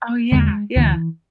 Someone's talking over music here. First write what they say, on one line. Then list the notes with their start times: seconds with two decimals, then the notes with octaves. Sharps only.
Oh, yeah, yeah.
0.32 E2 D3 G#3
0.76 D2 D3 E3